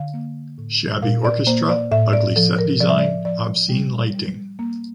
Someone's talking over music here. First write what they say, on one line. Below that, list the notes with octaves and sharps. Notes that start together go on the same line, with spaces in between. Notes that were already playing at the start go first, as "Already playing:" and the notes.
Shabby orchestra, ugly set design, obscene lighting.
Already playing: D3 F5
A#3
A2
A#2 F5
D5
A#3 C5
D5
A2 E5
D5
F3 A4
A#4
F3 D5
E5
D5
F3 D5
G3
G3
A#3